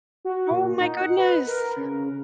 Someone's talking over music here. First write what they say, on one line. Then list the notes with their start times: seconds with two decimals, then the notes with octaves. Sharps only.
Oh my goodness,
0.25 F#4
0.51 A#2
0.80 D#4
1.02 F#5
1.18 B4
1.47 A#4
1.76 C#3